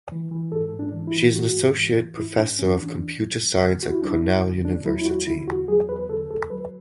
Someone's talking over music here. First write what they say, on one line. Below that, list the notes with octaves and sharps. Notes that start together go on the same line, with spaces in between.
She is an associate professor of computer science at Cornell University.
E3
E3
G#2 A4
G#2
D4
E3
E4
E3
G#2 F#4
G#2
E3
E3
G#2 E4
G#2 D4
E3 C#4
E3 D4
E2
F#3
E2
D3
E2 F#4
E4
F#3 D4
E4
E2
D3
E2 D4
F#3 E4
E4
E2 F#4
D3 E4
E2 F#4
F#3 G#4
E2 B4
D3 A4
D2 A4
F#3 B4